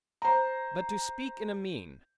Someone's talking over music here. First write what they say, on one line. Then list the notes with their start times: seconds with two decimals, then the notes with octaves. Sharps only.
But to speak in a mean.
0.22 C5 A#5